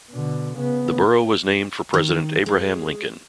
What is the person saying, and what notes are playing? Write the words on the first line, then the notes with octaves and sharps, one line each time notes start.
The borough was named for President Abraham Lincoln.
B2 D3
C#3 B3
D#3
G#3